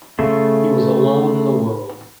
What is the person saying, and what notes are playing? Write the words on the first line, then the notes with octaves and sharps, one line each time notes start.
He was alone in the world.
C#3 A3 F4